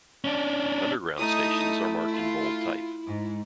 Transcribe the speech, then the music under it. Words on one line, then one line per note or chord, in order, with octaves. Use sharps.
Underground stations are marked in bold type.
C#4 D4
A3 D#4 E4 D#6
F4
G#2